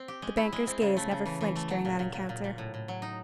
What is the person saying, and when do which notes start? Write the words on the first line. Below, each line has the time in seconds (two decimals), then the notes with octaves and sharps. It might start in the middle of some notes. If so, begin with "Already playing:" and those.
The banker's gaze never flinched during that encounter.
Already playing: C4
0.08 G4
0.22 G#3
0.37 E4
0.53 G#3
0.67 C4
0.82 C#3
0.97 A3
1.11 C#3
1.26 E3
1.41 E3
1.56 A3
1.70 F#3
1.85 A#2
1.99 A#2
2.14 A#2
2.29 A#2
2.44 A#2
2.58 A2
2.74 A2
2.88 F#3
3.02 D#4